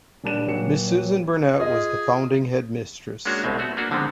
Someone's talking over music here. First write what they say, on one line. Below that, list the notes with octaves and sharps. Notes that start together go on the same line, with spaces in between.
Miss Susan Burnett was the founding headmistress.
D#1 G3 D4 A5 E7
D#1 F#3 C#7
F4 G#4 D#5
G#3 A#3 C#4 D4 F#4 C#5
C2 B2 G#3 C4 E5
A3 B3 F#4
A#3 D4 F#4 B4
D3 D#3 F3 G#3 B3 C4